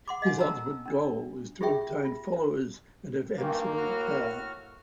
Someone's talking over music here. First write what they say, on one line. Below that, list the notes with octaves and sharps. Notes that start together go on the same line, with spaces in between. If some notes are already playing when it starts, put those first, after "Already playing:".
His ultimate goal is to obtain followers and have absolute power.
F#5 C6 D6
D#5 F5 F#5 G#5
A5 A#5 E6
C#4 D4
F4 G4 G#4 C#5 E5 G5
F4
G2 D#3 E3 A#3
A2 F#4 F6